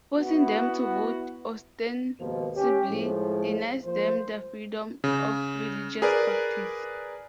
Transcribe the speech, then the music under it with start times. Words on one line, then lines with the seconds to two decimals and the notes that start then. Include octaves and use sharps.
Forcing them to vote ostensibly denies them their freedom of religious practice.
0.16 B3 E4 F#4
2.19 D#2 G#2 B2 F3 A#3
2.55 C#4 G4
2.90 A2 F3 G#3
3.85 F3 A#3 C5
5.04 C#3
6.02 G#4 A#4 B4 D5